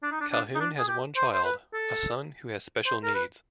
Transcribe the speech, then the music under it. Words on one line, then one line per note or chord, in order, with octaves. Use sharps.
Calhoun has one child, a son who has special needs.
D4
D#4
D4
D4
D#4
D4
G#4
G4
C5
C5
B4
A4
C5
A#4
B4